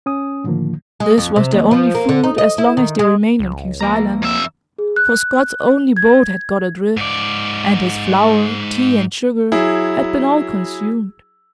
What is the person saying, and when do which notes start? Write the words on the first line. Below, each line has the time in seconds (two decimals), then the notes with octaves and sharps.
This was their only food as long as they remained on King's Island, for Scott's only boat had got adrift, and his flour, tea, and sugar had been all consumed.
0.06 C#4 G#5 D#6
0.44 A2 D3 D#3 F3 A#3
1.00 G#3
1.18 F2
1.36 C3
1.52 D#2
1.71 F3
1.95 A#3
2.09 D3
2.23 D#4
2.38 D#5
2.58 E4
2.77 D#3
2.99 G#3
3.39 C#2
3.81 F3 A#3 A#5
4.22 F2 E5
4.78 G#4
4.96 F#6
5.96 G#6
6.97 G#2 D5
9.52 F#3 E4 G#4